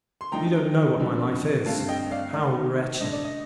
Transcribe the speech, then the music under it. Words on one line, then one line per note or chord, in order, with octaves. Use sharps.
You don't know what my life is,--how wretched.
C6
D3 F3 A3 D#4 G5 A#5
D3 F3 C4
G2 D3 A3 C4 F5 A5
D#5 G5
D5 F5
D#3 A3 D#4 D5
D3 A3 D4 D#5
D5
D#5